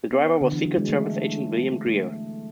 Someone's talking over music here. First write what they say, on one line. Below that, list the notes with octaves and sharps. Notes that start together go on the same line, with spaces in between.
The driver was Secret Service Agent William Greer.
B3
D3
E3
F#3
G#3
A3
A3